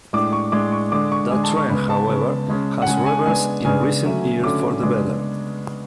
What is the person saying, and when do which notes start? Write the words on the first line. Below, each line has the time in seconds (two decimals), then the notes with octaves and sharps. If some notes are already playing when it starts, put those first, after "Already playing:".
That trend, however, has reversed in recent years for the better.
0.13 A2 G#3 D4 D6
0.33 C#6
0.52 A2 G#3 D4 D6
0.72 C#6
0.92 D3 G#3 D4 D6
1.12 C#6
1.31 D3 G#3 D4 G#5
1.44 A5
1.57 C#6
1.70 C#3 G#3 B3 B5
1.90 A5
2.09 C#3 G#3 B3
2.48 C#3 G#3 C#4
2.82 F#5
2.87 C#3 G#3 C#4 G#5
3.06 G#5
3.26 C#3 G#3 B3 D4 G#5
3.65 C#3 G#3 B3 D4 G#5
4.04 D3 F#3 A3 C#4
4.43 D3 F#3 A3 C#4 D6
4.83 C#3 G#3 B3 D4